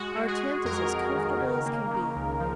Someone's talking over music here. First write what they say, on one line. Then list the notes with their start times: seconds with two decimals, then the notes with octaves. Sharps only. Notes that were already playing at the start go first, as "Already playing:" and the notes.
Our tent is as comfortable as can be.
Already playing: G#3 F#4
0.16 G#3
0.28 G#4
0.41 G#3
0.65 F2 A#4
0.91 F2
1.15 D#3
1.40 C#3
1.66 A#3
1.91 C#3
2.16 C#2
2.40 F3